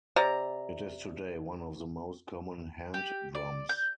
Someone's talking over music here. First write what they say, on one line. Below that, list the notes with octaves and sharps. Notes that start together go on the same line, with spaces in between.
It is today one of the most common hand drums.
C3 D5 A#5
G4
D5
G6